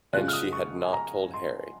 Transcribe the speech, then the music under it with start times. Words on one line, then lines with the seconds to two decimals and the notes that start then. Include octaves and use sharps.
And she had not told Harry!
0.13 C#3 G#3 C#4 F4 F#6
0.28 F6
0.33 D#6
0.53 C#6
0.84 G#5
0.93 A#5
1.34 C6